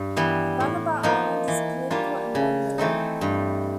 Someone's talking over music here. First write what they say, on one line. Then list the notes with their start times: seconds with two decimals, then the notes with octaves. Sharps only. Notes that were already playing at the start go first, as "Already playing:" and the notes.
Banaba Island is a political anomaly.
Already playing: G2
0.17 E3 G3 B3
0.60 A2
1.03 F3 A#3 D#4
1.48 E3
1.90 G3 A#3 D4 F4
2.35 C#3
2.78 E3 A3 C4 D#4
3.21 G2